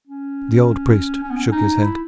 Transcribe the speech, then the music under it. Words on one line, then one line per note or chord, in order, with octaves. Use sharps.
The old priest shook his head.
C#4
C#4
B3
C#4
D#4
E4